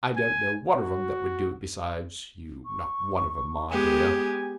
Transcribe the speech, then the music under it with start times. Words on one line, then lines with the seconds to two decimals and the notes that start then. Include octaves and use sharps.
I don't know one of 'em that would do it besides you; not one of 'em, my dear.'
0.16 G#5
0.77 F#4
2.65 C#6
3.71 G#3 B3 G4 G5 G#5